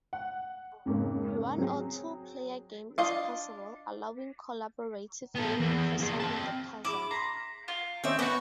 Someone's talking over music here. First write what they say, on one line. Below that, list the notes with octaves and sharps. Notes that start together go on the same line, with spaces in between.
One or two-player game is possible, allowing collaborative gaming for solving the puzzles.
F#5
F2 G#2 C#3 A#3
F#3 C4 G#4
D4 F4 D#5 F5
B3 A4
E2
A#3 G#4
C4 A5
E4 G#4 D6 E7 F#7
A#5 C6 B6 C7
F4
D#3 C4 C#4 E5 D6 G6
B3 D#4 E4 F#4 B4 D5 G5 G#5